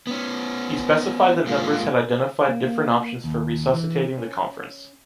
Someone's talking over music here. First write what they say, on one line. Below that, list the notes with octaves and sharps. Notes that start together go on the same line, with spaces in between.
He specified that members had identified different options for resuscitating the Conference.
B3 C#4
A2 G#3 A#3 F4
A#3
A#3
D#2
E3
C#4